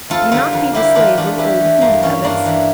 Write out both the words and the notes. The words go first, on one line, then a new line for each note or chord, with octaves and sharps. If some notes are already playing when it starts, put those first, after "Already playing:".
Do not be the slave of old food habits.
F2 F4 A4
D3 G3 A#3 F4 A4
F2
D3 G3 A#3 E4 G4
E2 D4 F4
E3 A3 D4 F4
E2 E4 G4
E3 A3
G2 A#3
E3 G3 C#4
G2 A#3 D4
E3 G3